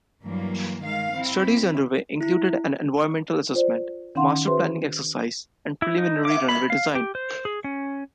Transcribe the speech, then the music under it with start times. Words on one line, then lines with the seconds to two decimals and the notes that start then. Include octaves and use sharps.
Studies underway included an environmental assessment, master planning exercise and preliminary runway design.
0.23 G2 E3 F#3 A#3
0.83 D#3 G#3 F5
1.14 C4 E4
2.21 E4
3.54 F4 C5 D5
4.15 D#3 C#4 D#4 F5 F#5 C6
4.47 F#4 G#4 B4 C5 E5 C6
5.82 E4
5.98 D#4
6.25 D6
6.49 B5
6.70 F5
6.95 G4
7.15 C5
7.45 G#4
7.64 C#4